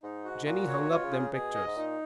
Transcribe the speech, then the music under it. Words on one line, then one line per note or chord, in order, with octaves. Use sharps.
Jenny hung up them pictures.
G#2 D#4
F#4
A#2 F#4
C#5
B2 F4
C#3
G#4
C#3
B2 G#4
D#5
G#2
A#2 D#4